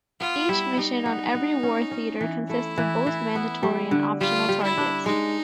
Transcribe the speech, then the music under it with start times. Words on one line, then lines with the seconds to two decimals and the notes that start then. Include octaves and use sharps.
Each mission on every war theatre consists of both mandatory and optional targets.
0.20 B3 F4
0.49 G3 E4
0.77 G3 D#4
1.06 B3
1.35 B3
1.63 C#4
1.91 C#4
2.21 E3
2.49 A3 E4
2.78 E3
3.06 E3
3.35 B3
3.63 G3
3.91 D3
4.20 G3 F4
4.49 G3
4.63 E4
4.77 D4
5.06 G#3 D#4